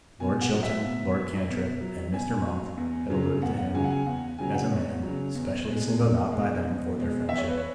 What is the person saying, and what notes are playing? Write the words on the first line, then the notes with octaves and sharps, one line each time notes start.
Lord Chiltern, Lord Cantrip, and Mr. Monk had alluded to him as a man specially singled out by them for their friendship.
B2 G#5
F#5
F#3
E5
B2
F#3
B2
F#3
B2 G#5
F#3
E2
C#3 F#3
E2 F#5
F#5
C#3 F#3 G#5
F#5
G#5
E2 F#5
C#3 F#3 G#5
F#5
E2 C#5
C#3 F#3
E2
B2 G#3
E2
B2 G#3
E2
B2 G#3
E2 E5
C#5
B4
C#5